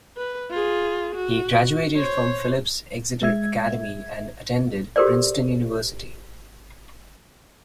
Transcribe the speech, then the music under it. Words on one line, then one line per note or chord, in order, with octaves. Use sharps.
He graduated from Phillips Exeter Academy and attended Princeton University.
B4
F4 G#4
F#4
C5 C#5
G#3 E5 G#6
F#4 G4 A4 A#4 C5 D5